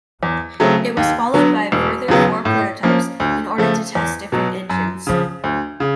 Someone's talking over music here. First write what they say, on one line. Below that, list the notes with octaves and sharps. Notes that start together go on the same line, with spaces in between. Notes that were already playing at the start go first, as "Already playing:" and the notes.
It was followed by further four prototypes, in order to test different engines.
E2
C#3 F#3 A3 C4
D#2
D3 F#3 B3
E1
D#2 C#3 F#3 B3
A2
F3 A#3 C#4
D2
C#3 F3 A3
E2
B2 F#3
F#2
C#3 F3
D2
C#3